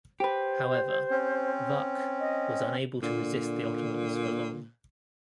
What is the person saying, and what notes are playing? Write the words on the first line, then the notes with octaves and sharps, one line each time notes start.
However, Vuk was unable to resist the Ottomans for long.
G4 B4 C5
C4 C#4
D#5
A#2 D3